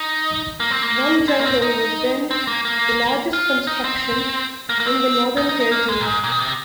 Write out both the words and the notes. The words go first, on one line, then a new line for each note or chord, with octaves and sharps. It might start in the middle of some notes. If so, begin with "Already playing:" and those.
Rum Jungle was then the largest construction in the Northern Territory.
Already playing: D#4
A#3
C4
A#3
C4
A#3
C4
D#4
C4
A#3
A#3
F4
D#4
C4
A#3
A#3
C4
D#4
D#4
D#4
A#3
G#3
A#2
G#2
A#2
D#3
C3